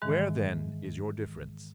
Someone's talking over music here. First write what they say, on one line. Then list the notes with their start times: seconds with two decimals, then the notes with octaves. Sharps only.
Where, then, is your difference?
0.02 G#2 D#3 E3 G#3